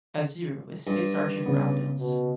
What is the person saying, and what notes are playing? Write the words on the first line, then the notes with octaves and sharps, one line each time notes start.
Azure with six argent roundels.
G2
C#3 B3
B2